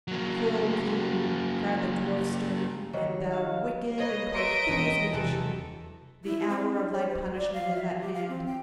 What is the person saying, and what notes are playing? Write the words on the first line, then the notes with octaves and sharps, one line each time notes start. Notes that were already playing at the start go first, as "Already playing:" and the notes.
"Cruel King!" cried the dwarf sternly, "and thou, wicked and perfidious magician, the hour of thy punishment is at hand."
F#3 A#3
D#3 F#3 G3 C#5
F5
B4 C#5 D#5
D#5 E5 A#5 C6 C#6 D7
E1 C#7
E2 C3 A4
E4
C4
D4
C#5
C5
D5
F5
E5
G4
F5
C4
G5